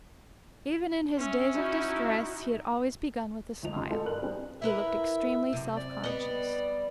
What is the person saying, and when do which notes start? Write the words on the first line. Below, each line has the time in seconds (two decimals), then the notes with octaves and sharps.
Even in his days of distress he had always begun with a smile. He looked extremely selfconscious.
1.18 C#4 E5
1.55 D#4 E4 F#4
3.63 D2 F3 D#4 F7
3.76 F2 C#3 D#4 G4 C6
3.90 G#3 A3 D#4 F#4 G#4 A4
4.06 G2 A#4 F#6 F#7
4.22 G3 B3 C4 D4 G#4
4.62 E4 A#4 B4 E5
5.53 F#2 C3
5.77 D5
6.04 G3 B3 D#5